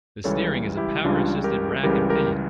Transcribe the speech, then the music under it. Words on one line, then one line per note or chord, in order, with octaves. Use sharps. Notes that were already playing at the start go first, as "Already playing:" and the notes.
The steering is a power-assisted rack-and-pinion.
C#2 C#3 E3 G3 A4 C#5
E4 G4
C#2 C#3 E3 G3 D4 F4
G4 A#4
C#2 C#3 E3 G3 G4 A#4
G4 A#4